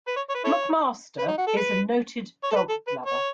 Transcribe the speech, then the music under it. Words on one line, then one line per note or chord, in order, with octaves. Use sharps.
McMaster is a noted dog lover.
B4
C#5
C#5
B4
E4 A4 C#5
B4
D#4
F#4
A4
B4
C#5
A4
B4
A4
B4
C#5